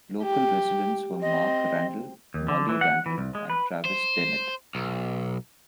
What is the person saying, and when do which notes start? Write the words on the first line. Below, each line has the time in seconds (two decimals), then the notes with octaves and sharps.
Local Residents were Mark Randall, Molly Randall, and Travis Dennett.
0.23 G4
1.22 C4 D#5
2.34 D#2
2.48 D3
2.69 E3
2.81 F#5
3.06 E3
3.18 C2
3.35 G#3
3.50 B4
3.85 C5
4.75 B1